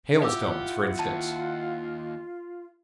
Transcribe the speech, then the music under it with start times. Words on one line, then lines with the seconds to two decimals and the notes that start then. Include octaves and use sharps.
Hailstones, for instance.
0.23 E4 F4 G4 F5 F#5 D6 E6
0.99 D#2 A5